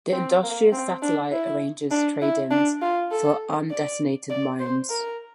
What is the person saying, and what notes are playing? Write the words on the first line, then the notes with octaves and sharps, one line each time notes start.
The industrious Satellite arranges trade-ins for undetonated mines.
C4
A#3
C4
D4
E4
D4
E4
D4
F4
A4
D5
D5
C5
A#4